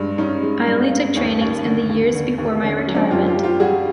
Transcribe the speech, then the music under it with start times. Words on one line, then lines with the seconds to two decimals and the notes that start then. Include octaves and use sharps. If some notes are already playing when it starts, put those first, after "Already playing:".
I only took trainings in the years before my retirement.
Already playing: G2 G#3
0.18 G2 C#4 D#4
0.43 G#3
0.67 G2
0.92 G2
1.16 D#2 C#4 D#4
1.41 D#2
1.65 D3
1.89 D#2
2.14 D3
2.38 D#2
2.62 D3 C#4
2.79 C#4
2.88 F#3
2.95 C4 D4
3.11 F#2 F4 G4
3.28 F4 G4
3.36 G3
3.43 F4 G4
3.60 G3 F#4 G#4